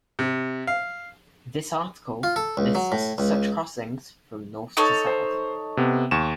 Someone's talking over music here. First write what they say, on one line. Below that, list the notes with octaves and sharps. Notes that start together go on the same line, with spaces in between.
This article lists such crossings from north to south.
C3
F5
F4
A4
C#2
F#3
A2
C#2
D#4 A4 C#5
C5
C3 B3
D#2 C#6 E7